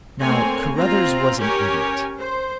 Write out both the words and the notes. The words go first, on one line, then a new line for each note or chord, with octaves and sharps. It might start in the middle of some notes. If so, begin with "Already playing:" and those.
Now, Carruthers was an idiot.
A3 A#3 C4 C#5 G#5
C4 F4 A#5
C#4 G4 A#4 C#5 G#5
C5